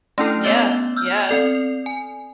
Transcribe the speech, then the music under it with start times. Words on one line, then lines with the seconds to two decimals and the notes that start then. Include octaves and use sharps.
Yes, yes.
0.18 A3 C#4 D4 E4 A4
0.44 B3 C#5 D#5 E6 A6 G7
0.96 E6 F6 G6
1.29 C4 A4 D5
1.86 G#5